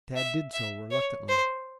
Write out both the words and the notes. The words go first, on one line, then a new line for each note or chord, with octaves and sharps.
Tad did so reluctantly.
E5
E5
C#5
C5